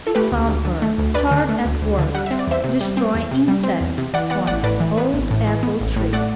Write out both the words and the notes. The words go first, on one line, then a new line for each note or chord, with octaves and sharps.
He found her hard at work destroying insects on an old apple tree.
A4
A3 G4 B4
D2
D2
D3
A3
D2
D2 B4 D5
D3
A3
D2
D2
D3
G3 F#5
C4 E5
D5
E2 C5 E5
C3
G3
C4
E2
C3
G3
C4
E2
C3
E3 D5 F#5
B3 D5 F#5
A1 D5 F#5
A2 B4 D5
E3
B3
A1
A2
E3
B3
A1
A2
A3 D5 F#5